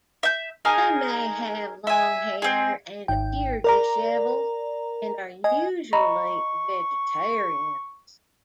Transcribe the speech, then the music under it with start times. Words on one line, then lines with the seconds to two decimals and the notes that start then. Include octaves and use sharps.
They may have long hair and appear disheveled, and are usually vegetarians.
0.23 E5 G6
0.65 D#4 G#4 A#4 F6
1.87 E5 G#5
2.42 C4 G#4
3.08 G#1 G5
3.64 A#4 D5 A#5
5.44 D#5 G#5
5.93 D#5 A#5 B5 C#6